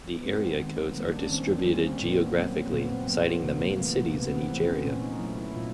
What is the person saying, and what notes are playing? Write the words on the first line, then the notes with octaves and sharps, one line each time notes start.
The area codes are distributed geographically, citing the main cities in each area.
B3
G#3 C4
D#3
G3 A#3
D4
C#4
D#3 C4
C#4
G3 A#3
C4
A#2 B3
A#3
F#3 A#3 C4
A#3
A#2 B3
C4
F#3 A#3 B3
B3
C3 A#3
A#3
E3 A3 B3
A#3
C3 B3
C4
E3 A3 C4
C#4
A#2 C#4
D#4
F#3 A3 E4
E4
A#2 F4